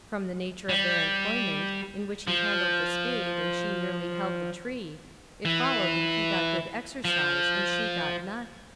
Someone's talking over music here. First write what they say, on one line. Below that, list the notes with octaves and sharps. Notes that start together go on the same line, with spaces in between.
From the nature of their employment, in which he handled the spade and she merely held the tree, it followed that he got good exercise and she got none.
G3
F3
E3
F3